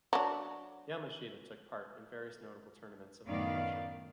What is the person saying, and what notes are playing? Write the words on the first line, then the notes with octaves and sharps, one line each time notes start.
Yamashita took part in various notable tournaments of the promotion.
F#3 D4
F#2 A2 D#3 B3 D5 F5